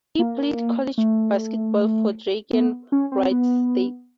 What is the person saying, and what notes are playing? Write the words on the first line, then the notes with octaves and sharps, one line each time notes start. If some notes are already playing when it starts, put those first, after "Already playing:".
He played college basketball for Drake and Wright State.
A#3
A3
B3
C#4
C4
B3